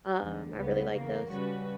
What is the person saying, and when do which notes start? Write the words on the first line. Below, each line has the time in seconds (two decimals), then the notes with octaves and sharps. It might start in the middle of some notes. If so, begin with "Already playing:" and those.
um, I really like those.
0.22 E2 D3 G3
0.58 C#2 C#3 G3 B3
0.94 E2 C#3 E3 A#3
1.31 C#3 G3 C#4 F#4 B4